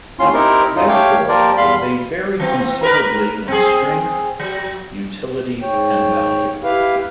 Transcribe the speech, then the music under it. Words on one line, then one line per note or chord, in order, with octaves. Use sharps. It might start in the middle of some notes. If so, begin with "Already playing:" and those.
Therefore, they vary considerably in strength, utility, and value.
D#2 A2 C#4 F4 C6
C4 D#4 E4 G4 A#4
F#2 F#3 D#4 F4
A3 G4 C#5 F5 G5
F3 A#3 F4 G4 A#4 D5
E2 G3 F5 B5 C6
E3 C4
A#4 B4
C4 G#4
F#3
G#2 C#5 G5
E4 G4 B4 F5